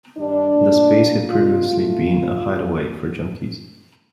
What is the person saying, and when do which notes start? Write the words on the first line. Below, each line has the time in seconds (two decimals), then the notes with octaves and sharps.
The space had previously been a hideaway for junkies.
0.17 G2 D#3 G3 D4
0.55 A#2 A3
0.92 A#2 G3 A#3
1.30 C3 D#3 G3 A#3 F4
1.68 A2 F3 A3 F4